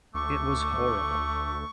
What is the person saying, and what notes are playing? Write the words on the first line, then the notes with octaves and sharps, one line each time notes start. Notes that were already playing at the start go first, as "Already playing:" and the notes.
It was horrible.
D2 A3 C#6 D6